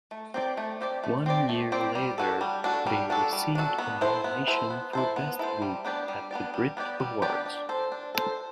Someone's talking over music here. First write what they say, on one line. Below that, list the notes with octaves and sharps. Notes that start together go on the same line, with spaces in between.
One year later they received a nomination for "Best Group" at the Brit Awards.
A3
C4 G4 D5
A3
C4 G4 D5
A3
C4 G4 D5
A3
C4 G4 D5
G3
D4 F#4 A4
G3
D4 F#4 A4
G3
D4 F#4 A4
G3
D4 F#4 A4
B3
E4 A4 C5
B3
E4 A4 C5
B3
E4 A4 C5
B3
E4 A4 C5
G3
B3 D4 G4 D5
G3
B3 D4 G4 D5
G3
B3 D4 G4 D5
G3
B3 D4 G4 D5
D4
A4 C5
D4
A4 C5